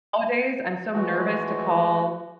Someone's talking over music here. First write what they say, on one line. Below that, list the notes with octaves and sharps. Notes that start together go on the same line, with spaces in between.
nowadays, I'm so nervous to call
E3 G#3 A3 F#4